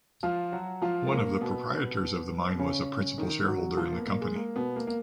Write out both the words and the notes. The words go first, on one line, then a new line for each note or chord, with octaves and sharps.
One of the proprietors of the mine was a principal shareholder in the company.
F3 F4
F#3 F#4
F3 F4
G#3
A#3
B2 B3
B3
C#3 C#4
D#3 D#4
F#3 F#4
F3 F4
A#3
B3
A#3
G#3
A#3
B2 B3
A#3
A#3